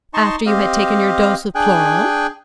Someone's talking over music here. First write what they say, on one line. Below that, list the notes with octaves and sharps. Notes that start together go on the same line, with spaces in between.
"After you had taken your dose of chloral?"
D#4 D#5 A5 C6 C#6
C4 G4 D#5 F5
D4 G#4 G5 G#5 F#6